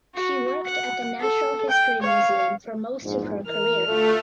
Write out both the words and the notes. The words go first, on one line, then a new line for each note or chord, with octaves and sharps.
She worked at the Natural History Museum for most of her career.
F#4
F#5
A4
G5
C#5 F5
A#1 E2 G#2
E3 A#4 F6
D2 A3 F4 A4